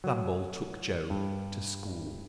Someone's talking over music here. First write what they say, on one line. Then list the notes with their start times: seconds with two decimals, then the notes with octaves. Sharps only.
Lambole took Joe to school.
0.04 F#3
1.10 G2